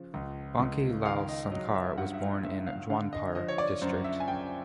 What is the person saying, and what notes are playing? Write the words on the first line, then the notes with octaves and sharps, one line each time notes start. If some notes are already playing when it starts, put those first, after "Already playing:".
Banke Lal Sonkar was born in Jaunpur district.
Already playing: C#3 F3
C#2
C#2
D#3 F5
D#5
F#3 D#5
E5
G2 F#5
E5
F5
G2 E5
F5
D3 F5
D#5
F3 D#5
C#5
D5
F#2 C5
E5
G#5
F#2 G5